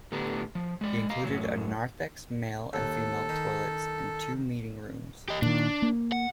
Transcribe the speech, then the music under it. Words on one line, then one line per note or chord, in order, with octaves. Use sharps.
He included a Narthex, male and female toilets and two meeting rooms.
A2 D3 B3 D4 G4 A#5
F3
G#3 D5
D#5 F5 A#5
F#2 A2 E3 F#3
D#2 A4
D#3
G4 D#5
A#2 D#3 D4
A#3
F#5